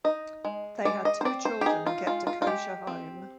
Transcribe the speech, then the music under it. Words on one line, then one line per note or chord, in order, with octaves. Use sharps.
They had two children and kept a kosher home.
D#4 D#5
G#3
G#3 D5
D#5
C5
C4 D5
C5
G4
D#4 G#4
F4
G#3 F4
F4
F4
G#3 G4
C4